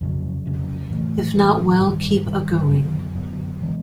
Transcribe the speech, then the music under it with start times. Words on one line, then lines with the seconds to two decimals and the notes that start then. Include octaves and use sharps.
If not well, keep agoing.
0.01 F2 C#3 F#3
0.45 F2 C#3 F#3
0.90 A2 E3 A3
1.36 A2 E3 A3
1.80 G2 D#3 G3
2.25 G2 D#3 G3
2.70 F#2 D3 F#3 B3
3.15 F#2 D3 F#3 B3
3.62 E3 G#3 B3